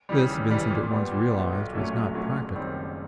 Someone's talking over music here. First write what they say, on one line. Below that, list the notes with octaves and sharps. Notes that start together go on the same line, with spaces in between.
This, Vincent at once realized, was not practical.
C#3 E3 G3
D#2
C#3 E3 G3
A#2
G3 B3
A#2
G3 B3
B1
A#2 F#3 A3 C#4
B1
A#2 F#3 A3 C#4
F#1
F#2 D#3 G3 C4
F#1